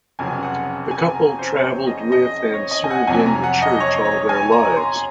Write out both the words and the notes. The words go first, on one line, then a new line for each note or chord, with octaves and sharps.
The couple traveled with and served in the church all their lives.
F1 F2 C#3 F#3 G#5
F#5
G#5
A#5
C5
C#5
D#5
D#5
C#5
D#5
G#5
F#5
F2 C3 F#3 G#5
A#5
F#5
D#5
C#5
C#5
G#5
A#5
C6